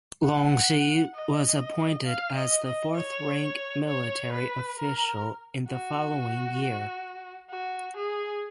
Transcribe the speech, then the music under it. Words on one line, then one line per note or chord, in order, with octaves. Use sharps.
Longxi was appointed as the fourth rank military official in the following year.
F#5
D#5
F5
D#5
D#5
C#5
C#5
B4
A#4
F#4
F#4
G#4